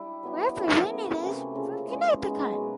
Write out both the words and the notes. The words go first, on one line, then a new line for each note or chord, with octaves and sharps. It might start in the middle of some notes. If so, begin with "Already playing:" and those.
Representatives from Connecticut.
Already playing: G3 D4 E4 G4
F#3 B3 E4 G4
F#3 A3 C#4 E4
A#3 C#4 E4 G#4
C3 E3 A3
C#3 F3 A#3
E3 G#3 C#4
G#3 B3 D#4 F#4
B2 F#3 A#3